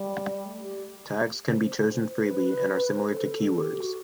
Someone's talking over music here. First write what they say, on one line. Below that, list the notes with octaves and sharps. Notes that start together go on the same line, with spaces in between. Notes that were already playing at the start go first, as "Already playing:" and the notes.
Tags can be chosen freely, and are similar to keywords.
Already playing: G3
A3
G4
C5
B4
C5
A4
G4
F#4